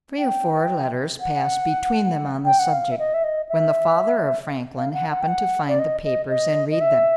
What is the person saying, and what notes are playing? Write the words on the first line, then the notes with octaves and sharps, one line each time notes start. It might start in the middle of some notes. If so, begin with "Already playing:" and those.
Three or four letters passed between them on the subject, when the father of Franklin happened to find the papers, and read them.
G5
F#5
G5
F#5
F5
E5
D#5
E5
D#5
E5
F5
F#5
F#5
G5
F#5
D5
D#5
D#5
D#5
D#5
E5